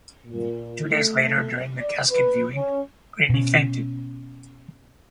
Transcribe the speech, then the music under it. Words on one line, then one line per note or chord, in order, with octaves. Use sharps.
Two days later during the casket viewing, Graney fainted.
A#2
A3
D5
B4
C#4
B2 C#4